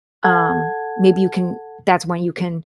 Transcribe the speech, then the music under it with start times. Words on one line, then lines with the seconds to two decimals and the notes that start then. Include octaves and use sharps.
Um, maybe you can that's when you can
0.24 A4 F#5 A5 G#6